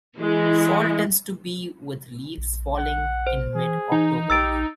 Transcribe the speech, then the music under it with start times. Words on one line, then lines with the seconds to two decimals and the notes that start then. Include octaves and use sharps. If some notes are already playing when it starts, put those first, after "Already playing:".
Fall tends to be with leaves falling in Mid-October.
0.19 E3 G#3 E4
2.38 A#1
2.78 F#5
3.27 C5
3.55 E3 G#4
3.92 E3 D#4
4.30 A#1 G4 E6 A6 D7